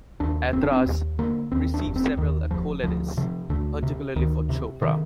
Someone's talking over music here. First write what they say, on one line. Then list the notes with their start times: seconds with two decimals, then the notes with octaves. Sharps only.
"Aitraaz" received several accolades, particularly for Chopra.
0.20 D#2 D4
0.53 F1 C4
0.63 D4
0.72 C4
0.86 D#2
1.19 D3 A#3
1.52 D#2 C4
1.74 D4
1.86 F1
1.96 C4
2.17 D#2 D#3
2.51 F1 F3
2.83 D2 F3
3.17 C3 F3
3.49 D2 D3
3.83 C3
4.16 D2 D#3
4.49 C3
4.82 C3 D#3